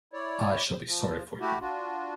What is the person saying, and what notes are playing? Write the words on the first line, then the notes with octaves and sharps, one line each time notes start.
I shall be sorry for you.
E4 C#5 D5
F3
A3 E4 F#4 G4
D4 F4 F#4